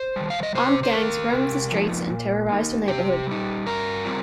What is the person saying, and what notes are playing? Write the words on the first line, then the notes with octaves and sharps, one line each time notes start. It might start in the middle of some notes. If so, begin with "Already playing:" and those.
Armed gangs roamed the streets and terrorized the neighborhood.
Already playing: C5
D#3 G3
F5
D#5
C3 C5
C5
D#3 A#3 A#4
C3
F3 A#3 D#4
A#2
A#3 D#4
C3 G4
G3 D#4
G2 A#4
G3 C4 F4